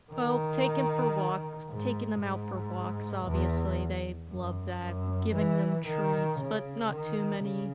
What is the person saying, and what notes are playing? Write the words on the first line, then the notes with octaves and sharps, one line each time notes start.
Well, taking for walks taking 'em out for walks, obviously, they love that, giving them treats, but not too many,
D#3
G#2
G#2
E2
F#2
F#2
E3
D#3
C#3
D#3
C#3